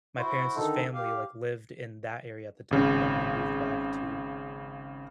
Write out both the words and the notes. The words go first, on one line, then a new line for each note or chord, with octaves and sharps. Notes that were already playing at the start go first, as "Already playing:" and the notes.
my parents' family, like, lived in that area at the time, but then we moved back to
E4 F#4 C5
D3 D#3 D#4 A4
G4 F5
G#1 C#3